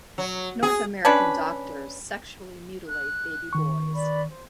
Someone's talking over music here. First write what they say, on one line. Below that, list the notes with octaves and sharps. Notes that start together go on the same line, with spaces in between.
North American doctors sexually mutilate baby boys.
F#3
G#4
C#4 D4 B4
F#6
D#3 C#6
B4 D5 B5
C5